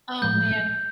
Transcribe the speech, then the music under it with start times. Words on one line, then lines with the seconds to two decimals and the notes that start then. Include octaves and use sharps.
Oh, man.
0.22 A2 F3 G#3 G6